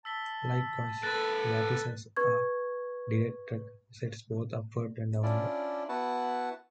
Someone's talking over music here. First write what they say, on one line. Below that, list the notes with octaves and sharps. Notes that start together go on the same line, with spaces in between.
Likewise, lattices are directed sets both upward and downward.
A5 E6 B6 G7
A#3 A4 B4 F#6 A6 A#6
B4 C#6 G#6
C#4 D4 E4 F4 D5
B3 E4 F#4 B4 F#5 A5